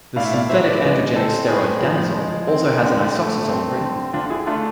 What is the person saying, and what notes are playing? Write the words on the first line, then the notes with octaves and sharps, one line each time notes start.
The synthetic androgenic steroid danazol also has an isoxazole ring.
A2 D5 F5
E5
D5 F5
F3 C5 E5
B4 D5
G#3 B4 D5
C4 A4 C5
A2 G#4 B4
F3
G#3
C4
D3
A3
C4
D3
D3 D4 F4
E4 G#4
A3 D4 F4